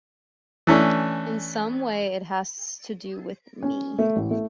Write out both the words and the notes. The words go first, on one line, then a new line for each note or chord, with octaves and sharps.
In some way it has to do with me.
E3 A3 C#4 D4
C#4
A3
A1
A3